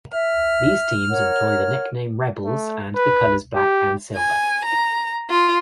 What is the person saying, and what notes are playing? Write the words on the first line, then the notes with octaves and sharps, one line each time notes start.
These teams employ the nickname Rebels and the colors black and silver.
E5 F6
A#4 C#5 F#5
A3
B4
G4
G#5
A#5
F4